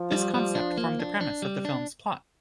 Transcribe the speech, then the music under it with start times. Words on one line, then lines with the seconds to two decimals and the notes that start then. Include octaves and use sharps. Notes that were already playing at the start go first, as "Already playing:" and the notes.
This concept formed the premise of the film's plot.
Already playing: F3
0.12 G3
0.34 G3
0.55 D4
0.78 A#3
1.00 D4
1.21 D4
1.42 G3
1.65 D4